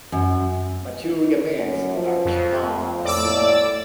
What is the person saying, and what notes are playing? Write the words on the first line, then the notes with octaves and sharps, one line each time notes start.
Mature gametes are spawned through the mouth.
F#2
F#2
F3
F2
A2 D5 D6 E6